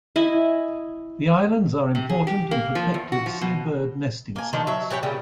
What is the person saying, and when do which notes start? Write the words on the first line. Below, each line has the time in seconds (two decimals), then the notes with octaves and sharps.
The islands are important and protected seabird nesting sites.
0.16 E4 D#5 G#5
1.95 C3
2.09 G#4
2.27 G4
2.51 A#3
2.75 F3
2.94 E2
3.12 F#4
3.26 F3
3.41 B2
4.36 A#3 G#5
4.53 D3 D#3 F3
4.67 F#3 E5
4.90 E3 G4 C#5 G5
5.03 A#2 C#3 G3 B3